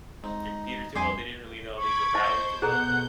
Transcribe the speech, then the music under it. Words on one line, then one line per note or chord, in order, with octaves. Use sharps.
their computers too well, they didn't really know how to use a browser too well,
G#3 C4 D#4
F2 G3 D4 G4 G#4 G#5 C6
B5 C#6 D6 G#6
C5 D#5 E5 A5 G6
B2 G#4 A4 F#5 A#5 G6